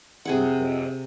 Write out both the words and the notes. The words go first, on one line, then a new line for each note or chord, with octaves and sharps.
it was that.
C3 G#4 F#5